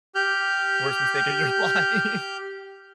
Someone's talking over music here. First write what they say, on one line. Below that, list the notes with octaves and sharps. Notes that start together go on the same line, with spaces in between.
Worst mistake of your life.
G4 F6 G6